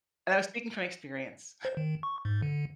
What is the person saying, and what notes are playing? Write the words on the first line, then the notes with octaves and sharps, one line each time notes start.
and I was speaking from experience.
C5
D#3
C#6
G#2
D3